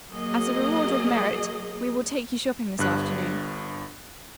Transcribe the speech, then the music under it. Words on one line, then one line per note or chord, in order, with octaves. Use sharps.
"As a reward of merit we will take you shopping this afternoon."
F#3 A#3 G#4 D#5
G1 G2 F#6